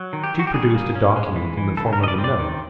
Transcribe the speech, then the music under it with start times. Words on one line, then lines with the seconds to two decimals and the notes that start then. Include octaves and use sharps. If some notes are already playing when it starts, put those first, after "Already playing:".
She produced a document in the form of a note.
Already playing: F#3
0.13 D#3
0.24 G4
0.34 D#3 F#4
0.47 G4
0.54 G3 G#4
0.74 A#3
0.95 C#4
1.16 G#3
1.36 E3
1.57 E3
1.77 C#3 A4
1.93 A#4
1.98 C#3
2.03 D#5
2.08 D5
2.18 C4
2.24 D5
2.39 D#3